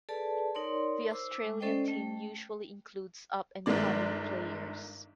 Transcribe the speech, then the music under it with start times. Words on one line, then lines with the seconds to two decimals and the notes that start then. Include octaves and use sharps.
The Australian team usually includes up and coming players.
0.09 G#4 A4 B4 D5 A5
0.55 D#4 A#4 C#5 D5 C6
1.09 C5 D6 E6
1.44 G#3
1.60 C#4 A4 C5 D5 D#5 G5
1.86 A3 G5
3.66 G1 D#3 G#3 D5